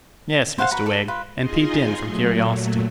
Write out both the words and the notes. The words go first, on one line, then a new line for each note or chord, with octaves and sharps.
'Yes, Mr Wegg, and peeped in from curiosity.'
C5 F5 F#5 C6
F#4 B4 A#5
A4 D6
F4 B4
D#4 F4 G#4 D#5 G#5 C6
A#2 F#3 A3